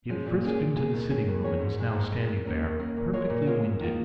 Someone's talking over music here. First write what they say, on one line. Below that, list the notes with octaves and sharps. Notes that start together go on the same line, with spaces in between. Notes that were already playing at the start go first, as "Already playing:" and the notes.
He had frisked into the sitting-room, and was now standing there: perfectly winded.
F3 G#3 C#4
A#2
A#3 C#4 G#4
A#2
A#3 C#4 G#4
D#2
D#3 C#4 G#4 C#5
D#2
D#3 C#4 G#4 C#5
G#2
D#3 G#3
G#2
D#3 G#3
D#2
D#3 A#3 C#4
D#2
D#3 A#3 C#4
A#2
G#3 F4 A#4 C#5
A#2
G#3 F4 A#4 C#5
G#2
D#3 A#3 F4